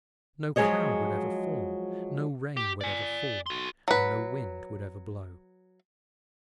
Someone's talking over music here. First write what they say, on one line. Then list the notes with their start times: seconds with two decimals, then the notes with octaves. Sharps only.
No cloud would ever form, no rain would ever fall, and no wind would ever blow.
0.56 F3 F#3 G#3 G#4 C#5 D#5
2.57 G4
2.81 D5 G#5
3.46 F#4 C6
3.88 F#3 B4